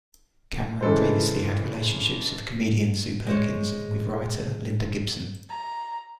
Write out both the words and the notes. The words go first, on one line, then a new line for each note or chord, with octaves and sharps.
Cameron previously had relationships with comedian Sue Perkins and with writer Linda Gibson.
C#3 E3 G#3 A4 B4 C5
G#3 C5 C#5
A#5